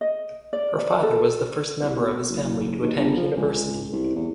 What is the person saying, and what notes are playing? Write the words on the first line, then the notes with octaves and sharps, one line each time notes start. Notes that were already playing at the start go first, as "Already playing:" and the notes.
Her father was the first member of his family to attend university.
D#5
D5
D5
A4
C2
B2
F#1
F#1
D#2
G1
F3
C#2
C2
E2